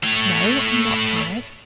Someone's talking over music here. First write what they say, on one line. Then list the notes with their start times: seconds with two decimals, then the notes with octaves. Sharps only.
"No, I'm not tired."
0.03 A3 C#5